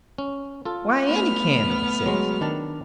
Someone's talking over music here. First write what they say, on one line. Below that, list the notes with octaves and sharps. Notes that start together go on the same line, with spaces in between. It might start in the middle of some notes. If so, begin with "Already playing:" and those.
"Why, any candle," he says.
C#4
F4 A4
A3 B3 F6
F#3 G#3
D#3 D4 A5